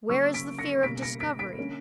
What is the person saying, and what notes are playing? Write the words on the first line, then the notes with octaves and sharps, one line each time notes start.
Where is the fear of discovery?
C#3 F#3 A#3 C#4 C#6 E6
B6 D7
A#6 C#7
B2 G3 A#3 C#4 B6 D7
A#6 C#7
B6 D7
B6 D7
D3 A#3 C#4